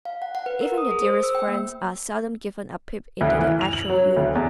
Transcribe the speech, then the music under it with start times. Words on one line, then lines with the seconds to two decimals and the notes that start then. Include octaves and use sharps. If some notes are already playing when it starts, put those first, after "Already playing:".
Even your dearest friends are seldom given a peep into the actual You.
0.05 F5
0.22 F#5
0.35 F#5
0.46 B4
0.61 A#4
0.78 D#6
0.91 G#4
1.02 C5
1.23 E6
1.35 G5
1.48 A#3
3.21 D2
3.39 E3
3.61 F7
3.73 F#7
3.90 F#3
4.16 D2
4.35 E2